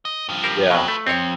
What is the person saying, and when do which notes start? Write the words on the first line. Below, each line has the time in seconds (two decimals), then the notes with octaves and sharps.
Yeah, eh
0.05 D#5
0.29 G2 F3
0.44 G3 A#4 C5
0.70 F2 B2 F#3 F4 B4
0.88 A3
1.07 F2 C4 C#5